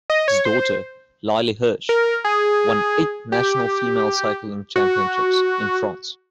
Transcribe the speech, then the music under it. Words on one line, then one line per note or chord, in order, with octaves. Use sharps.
His daughter, Lyli Herse, won eight national female cycling championships in France.
D#5
C#5
C5
A#4
G#4
G4
F#4